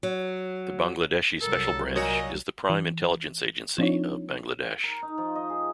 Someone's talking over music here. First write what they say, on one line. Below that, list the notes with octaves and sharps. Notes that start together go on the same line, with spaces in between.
The Bangladeshi Special Branch is the prime intelligence agency of Bangladesh.
F#3
C2 F#3 A4 A#4
A#2 F#4 C#5 D#5
E3
F3 C4 D4 D#4 F4 C#5
A#4
D#4
F3
D#5
G#4